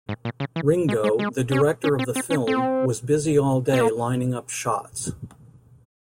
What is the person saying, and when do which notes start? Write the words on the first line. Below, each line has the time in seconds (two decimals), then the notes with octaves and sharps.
Ringo, the director of the film, was busy all day lining up shots.
0.09 G#2
0.25 A#2
0.40 C#3
0.56 E3
0.89 G#3
1.04 G#3
1.19 G#3
1.52 C#4
1.84 C#4
1.99 C4
2.16 C4
2.30 C#4
2.47 C4
3.73 C4
3.81 A#3